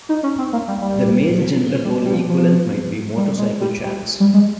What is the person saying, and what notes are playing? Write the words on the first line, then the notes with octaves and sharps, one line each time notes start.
The male gender role equivalent might be motorcycle chaps.
D#4
C#4
C4
A#3
G3
G3
G3
G3
F3
F3
G3
G#3
G3
G3
G3
G#3